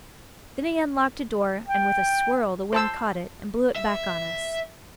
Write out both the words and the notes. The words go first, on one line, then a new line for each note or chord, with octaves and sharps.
Then he unlocked a door and with a swirl the wind caught it and blew it back on us.
G5
C5 A5 E6
E5